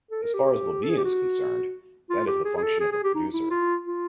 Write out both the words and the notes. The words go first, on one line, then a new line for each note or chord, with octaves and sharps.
As far as Levine is concerned, that is the function of a producer.
A4
A#4
G4
A4
G#4
G4
F#4
F4
G4
G#4
G#4
A4
G#4
G#4
G4
D#4
E4
F4
F4